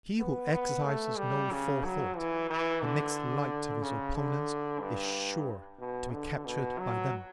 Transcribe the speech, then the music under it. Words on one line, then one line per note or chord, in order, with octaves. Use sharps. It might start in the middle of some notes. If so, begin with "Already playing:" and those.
He who exercises no forethought but makes light of his opponents is sure to be captured by them.
B3
B3
A3
G3
C#3
F#3
E3
E3
D3
C#3
D3
G2
B2
D3
B2
F#3